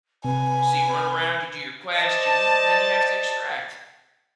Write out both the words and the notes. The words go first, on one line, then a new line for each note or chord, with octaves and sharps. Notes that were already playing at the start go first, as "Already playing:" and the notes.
so you run around, you do your quest, you loot, and then you have to extract,
C3 B4 G#5
C5 D5 D#5 A5